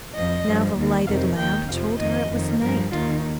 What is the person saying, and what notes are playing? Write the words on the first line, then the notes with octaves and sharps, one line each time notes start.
Now the lighted lamp told her it was night.
F2 F3 D#5
G2 F3
D#2 D#3
F2 C3 D#3 F5
D#2 D#3 G5
F2 C3 F3 F5
F2 D#3 D#5
F2 D#3
G2 F3 A#4
D#2 D#3 F4